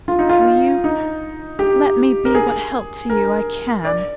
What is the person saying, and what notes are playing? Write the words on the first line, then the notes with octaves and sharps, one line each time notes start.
'Will you let me be what help to you I can?'
F4
D#4
F4
D#4
G4
A#4
G#4
A#4
D5